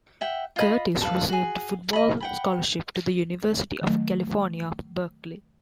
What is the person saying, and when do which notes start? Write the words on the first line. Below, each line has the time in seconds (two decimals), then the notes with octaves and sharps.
Curtis received a football scholarship to the University of California, Berkeley.
0.21 E5 F#5 G5
0.56 F4 D#5 B5
1.01 A4 B4 F5
1.29 F#4 G#4
1.93 D#5 B5
2.20 F#5 G5 B5
3.81 D#3 F#3 A3